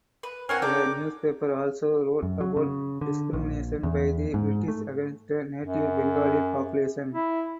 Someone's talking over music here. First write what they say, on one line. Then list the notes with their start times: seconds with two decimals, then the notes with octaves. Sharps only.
The newspaper also wrote about discrimination by the British against the native Bengali population.
0.23 B4
0.49 C4 A#4 C#5 F#5 G#5 F6 F#6
0.62 D4 A4 A#4 G5 D6
2.23 F#2
2.41 F#3
2.56 C#3
3.01 D3
3.33 A#1
3.83 E2
4.34 G#2
4.68 A3
5.64 F#2
7.14 E4